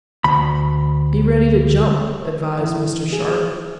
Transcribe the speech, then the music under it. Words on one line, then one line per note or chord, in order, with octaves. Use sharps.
"Be ready to jump," advised Mr. Sharp.
D2 B5
E3
G#4